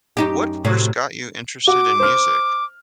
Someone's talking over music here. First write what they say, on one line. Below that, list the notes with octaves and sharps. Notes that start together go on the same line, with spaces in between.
What first got you interested in music?
F#2 D#4 G4
A2 C3 F#3
F#4 D6
C5 F6